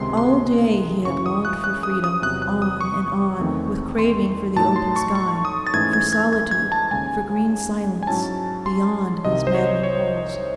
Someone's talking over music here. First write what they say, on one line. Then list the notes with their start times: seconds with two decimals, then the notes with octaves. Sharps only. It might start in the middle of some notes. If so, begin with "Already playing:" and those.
All day he had longed for freedom, on and on, with craving for the open sky, for solitude, for green silence, beyond these maddening walls.
Already playing: C#2 C3 D#3 G#3 D#4 C6
0.17 C6
1.05 F#2 C#3 E3 C#6
1.26 D#6
1.45 F#6
1.64 F#6
1.83 D#6
2.04 D#6
2.22 E2 C3 F#3 F#6
2.42 F#6
2.62 D#6
2.81 C#6
3.39 E2 D#3 A3 C4
3.99 C6
4.56 A2 F#3 A3 D#4 A5
4.76 C6
4.96 C#6
5.15 C#6
5.45 D#6
5.67 A6
5.74 G#2 E3 A3 C#4 G#6
5.93 G#6
6.13 G#6
6.33 G#6
6.51 G#6
6.72 A5
6.91 D#2 C#3 G#3 G#5
8.03 G#5
8.07 G#2 F#3 C#4 E4 A5
8.66 C6
9.25 C2 C3 D#3 D#5
9.47 C5
9.55 C#5
9.83 C#5